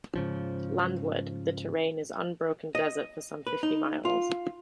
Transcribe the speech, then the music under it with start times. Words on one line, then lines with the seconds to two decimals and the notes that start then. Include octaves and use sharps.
Landward, the terrain is unbroken desert for some fifty miles.
0.16 G#2 C#3 F3
2.75 D#5
3.47 B4
3.63 D#4
4.05 F4